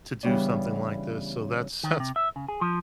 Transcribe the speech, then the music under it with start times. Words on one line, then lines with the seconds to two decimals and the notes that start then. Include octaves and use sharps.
to do something like this, so that's that's
0.23 C#3 E3 G3 B3 C#4 D4
1.83 D#3
2.00 C3
2.16 E5
2.36 C#3
2.48 G#4
2.61 F3